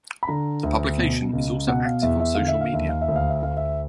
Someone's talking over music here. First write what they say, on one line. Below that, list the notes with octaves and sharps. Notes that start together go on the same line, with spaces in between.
The publication is also active on social media.
B5
D3 A#5
D2
B2
C#2
B2 F#5
F5
E2 E5
E5
D3 F5
E5
F5
D#2 E5
F5
E5
D2
F5
E5
D2 F5
E5